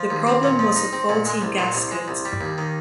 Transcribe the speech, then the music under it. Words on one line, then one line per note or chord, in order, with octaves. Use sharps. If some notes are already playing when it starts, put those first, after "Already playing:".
The problem was a faulty gasket.
Already playing: F3
D#2
C4
A#2
F3
D#4
C4
A#2
G#3
C2
A#2
C2
G#3
C2
G3
D#2
D#3